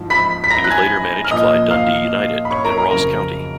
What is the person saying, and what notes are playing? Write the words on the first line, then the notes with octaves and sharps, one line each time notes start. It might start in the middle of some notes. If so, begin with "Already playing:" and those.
He would later manage Clyde, Dundee United and Ross County.
Already playing: G#2 F3
B5 B6
B6
A#5 A#6
F#6
G#5 G#6
F6
A#2 F3 D#5 D#6
F5 F6
B5
C#5 C#6
A#4 A#5
A#4 A#5
F2 C#3 F#3 A#4 A#5